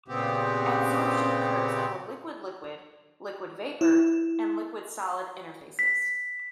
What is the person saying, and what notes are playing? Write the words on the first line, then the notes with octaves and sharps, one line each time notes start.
Adsorption occurs at the liquid-liquid, liquid-vapor, and liquid-solid interfaces.
A#2 C#3 B3 C4 G4
E4
B6